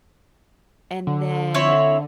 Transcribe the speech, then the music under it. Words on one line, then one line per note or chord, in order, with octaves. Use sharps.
And then,
D3
C4 E4 C#5